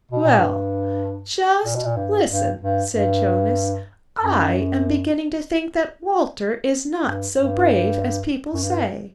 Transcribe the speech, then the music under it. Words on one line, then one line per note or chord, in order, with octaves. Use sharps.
'Well, just listen,' said Jonas, 'I am beginning to think that Walter is not so brave as people say.
B2
A#2
G2
A#2
B2
A#2
G2
G2
G2
G2
F#2
G2
G2
F#2
G2